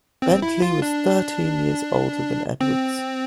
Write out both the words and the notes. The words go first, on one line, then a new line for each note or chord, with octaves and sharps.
Bentley was thirteen years older than Edwards.
C4
E4
F4
D4
C4